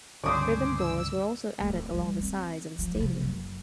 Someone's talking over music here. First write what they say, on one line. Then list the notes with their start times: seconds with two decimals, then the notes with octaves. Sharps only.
Ribbon boards were also added along the sides of the stadium.
0.24 C#2 G2 D3 C#4 C5 D5 C#6 D#6
0.78 E6
1.60 D1 E2
1.93 D#3 G3
2.20 C4
2.79 F3
2.96 C3 F3
3.20 F#1 F#2